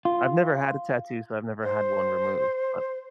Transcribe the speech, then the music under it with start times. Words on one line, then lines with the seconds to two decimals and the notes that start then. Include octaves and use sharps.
I've never had a tattoo, so I've never had one removed but
0.05 F4
1.63 C5